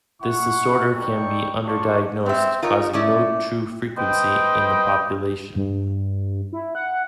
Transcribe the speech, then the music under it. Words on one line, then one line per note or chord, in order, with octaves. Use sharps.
This disorder can be underdiagnosed causing no true frequency in the population.
E4 F#5 C#6
G3 D#4 A4 D5 G5 C#6
F4 D5 A5 C#6
B3 C4 E5
D#4 F4 A#4 C#5
A3 C#4 E4 D5
B4 C5 D#5 G5
G2
E4
F#5